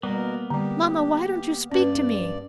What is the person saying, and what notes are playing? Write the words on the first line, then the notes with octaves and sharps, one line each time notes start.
Mamma, why don't you speak to me?
B2 G3 A#3 B3 A#4
D3 G3 G4
G2 C#4 B4 D5